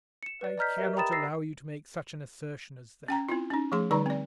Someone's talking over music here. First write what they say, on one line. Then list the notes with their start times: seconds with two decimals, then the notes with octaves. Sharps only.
I cannot allow you to make such an assertion as that.
0.23 C#7 E7
0.41 B4 D5
0.58 D5 D#5 A#5 F6 G6 B6
0.78 G4 A#4 E5
0.96 G5 A#5 B5 D#6 A6 E7
1.12 E6 A6 A#6 C7
3.08 C#4 G5 A#5
3.29 C4 E4 F4
3.50 C#4 D#4
3.72 F3 A3 G#4 C6
3.91 D3 G3 D#4 D5 A#5 C#6
4.06 C4 D5